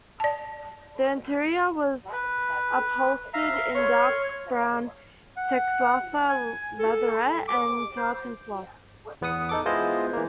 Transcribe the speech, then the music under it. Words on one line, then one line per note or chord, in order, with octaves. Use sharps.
The interior was upholstered in dark brown Texalfa leatherette and tartan cloth.
D5 A5
B4
E5 F5 A#5
C#5 C6 C#6 F6
F#5
G#5
A4
D6
C5
E2 B3 B4 D#6 C#7
D#4 A4 D6
G#3 B3 E4 F4 C5 D#5
E3 A#3